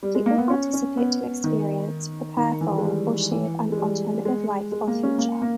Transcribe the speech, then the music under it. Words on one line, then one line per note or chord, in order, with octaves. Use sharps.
People participate to experience, prepare for or shape an alternative life or future.
G3
G#3
A#3
B3
C#4
C#4
B3
D#3
D#3
E3
G#3
G3
E3
G#3
G3
G#3
G#3
A#3
C#4
A#3
A#3